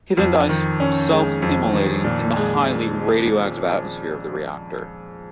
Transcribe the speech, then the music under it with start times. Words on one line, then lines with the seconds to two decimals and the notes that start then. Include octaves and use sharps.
He then dies, self immolating in the highly radioactive atmosphere of the reactor.
0.17 F2
0.49 D#3
0.80 C#4
1.11 G#3
1.42 F2
1.73 D#3
2.05 A#2
2.36 G#3